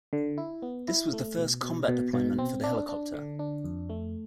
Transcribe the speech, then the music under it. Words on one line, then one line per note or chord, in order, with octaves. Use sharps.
This was the first combat deployment for the helicopter.
D3
E4
B3
E4
A3
B2
B2
B2
B2
C4
D4
D4
D3
D4
F2
A3